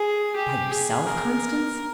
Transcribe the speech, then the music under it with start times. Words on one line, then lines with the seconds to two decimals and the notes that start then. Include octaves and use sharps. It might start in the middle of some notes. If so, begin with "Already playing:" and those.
"By yourself, Constance?"
Already playing: G#4
0.36 G4
0.71 G#4
1.06 A#4